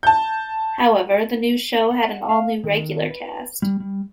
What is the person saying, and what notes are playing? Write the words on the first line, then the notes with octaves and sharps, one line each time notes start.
However, the new show had an all-new regular cast.
A5 G6
F#5
F5
D#3
B4
G3
G3